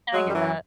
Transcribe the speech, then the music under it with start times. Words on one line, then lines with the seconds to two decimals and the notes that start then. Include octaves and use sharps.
and I get that
0.14 F#3 G#3
0.25 F#2
0.31 G3
0.35 E3 F#3